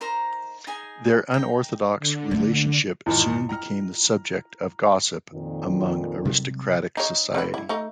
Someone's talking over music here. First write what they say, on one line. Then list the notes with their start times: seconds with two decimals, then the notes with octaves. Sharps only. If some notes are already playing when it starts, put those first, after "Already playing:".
Their unorthodox relationship soon became the subject of gossip among aristocratic society.
0.01 D#4 A#4 C5 A#5
0.67 D#4 G#4 G#5
1.31 D#4 G5
1.99 D3
2.31 A3 A#3
3.06 E2 G#2 D#3 E4 F4 D#5
3.49 G5 A#5 F6
5.33 F2 A#2 D#3
6.25 C3 F#3 G3
6.97 D#4 C#5
7.34 C4 B4
7.54 E4
7.69 A3 D#4